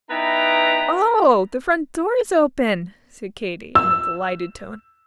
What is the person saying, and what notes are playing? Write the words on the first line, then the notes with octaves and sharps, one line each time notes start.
"Oh, the front door is open!" said Katy, in a delighted tone.
B3 D#4 E4 B4 G5 A#5
E6